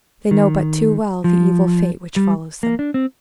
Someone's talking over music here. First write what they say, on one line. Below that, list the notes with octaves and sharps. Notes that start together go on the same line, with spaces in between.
They know but too well the evil fate which follows them.
D#3
F3
G3
A#3
D4
C4